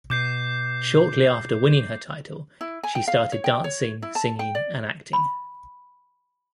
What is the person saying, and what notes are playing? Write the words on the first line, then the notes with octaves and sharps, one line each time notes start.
Shortly after winning her title, she started dancing, singing and acting.
B2 D6 G6 C7
E4
G#5
G5
F5
C#5
G5
C#5
E4
A5
G5
D5
B5